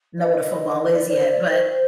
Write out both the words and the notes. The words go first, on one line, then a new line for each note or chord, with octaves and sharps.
know what a football is yet, but,
D#5
D5
C5
D5
C5